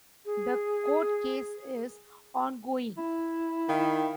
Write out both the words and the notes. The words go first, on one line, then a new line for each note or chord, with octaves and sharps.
The court case is ongoing.
G#4
E4
D#3 D#4 F5 G5